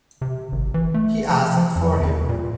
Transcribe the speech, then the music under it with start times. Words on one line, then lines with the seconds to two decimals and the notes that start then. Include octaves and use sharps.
He asked for him.
0.21 C3
0.52 G#1
0.74 E3
0.94 A3
1.29 F3
1.57 F3
1.76 F2
2.00 E2
2.29 A#2